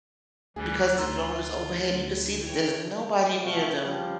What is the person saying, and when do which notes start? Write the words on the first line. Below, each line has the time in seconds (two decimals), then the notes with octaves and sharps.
because the drone is overhead, you could see that there's nobody near them
0.56 D2 E3 G3 G#4
0.96 D2 F4 A#5 C6 E6
2.45 E3 C#5 G5
3.42 C3 F3 A3 F#4
3.84 F2 F3 G3